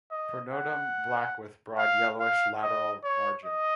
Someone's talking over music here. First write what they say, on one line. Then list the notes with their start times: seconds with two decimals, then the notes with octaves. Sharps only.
Pronotum black with broad yellowish lateral margin.
0.11 D#5
0.53 F#5
1.78 F5
2.20 F5
2.62 D#5
3.04 C#5
3.45 D#5